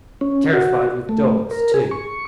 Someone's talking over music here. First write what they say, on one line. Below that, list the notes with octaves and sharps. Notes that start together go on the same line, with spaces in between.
Terrified with dogs too!
C#4
F#4
A3
A#4
G#4
C#6